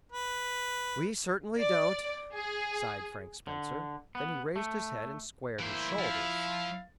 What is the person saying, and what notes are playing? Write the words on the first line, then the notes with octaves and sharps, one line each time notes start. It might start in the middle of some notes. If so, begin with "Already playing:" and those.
"We certainly don't," sighed Frank Spencer; then he raised his head and squared his shoulders.
B4
D5
G#4
D3
B3
A3
E3 A#3 E4 C5
F3 F5